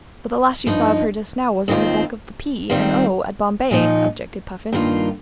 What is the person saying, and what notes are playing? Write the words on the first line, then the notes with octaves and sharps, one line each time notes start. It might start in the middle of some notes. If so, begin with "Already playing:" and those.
"But the last you saw of her just now was on the deck of the P. and O. at Bombay," objected Puffin.
G2 F3 D#4
D#2 D#3 C4 F4
D#3 G3 C4 F4
A#2 F3 D#4
G2 D#3 A#3 F4